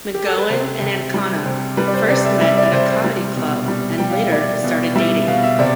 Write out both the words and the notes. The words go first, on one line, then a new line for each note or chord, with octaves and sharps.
McGowan and Ancona first met at a comedy club, and later started dating.
G4
A4
B4
C3 C5
C3
G3
C3
G3 B4
D5
C5
C3 D5
E5
G3 E5
D5
C3 C5
C5
G3
B2
G3
G3 G5
F5
E5
G3 D5
B2
G3 E5
B2 F5
E5
C3 D5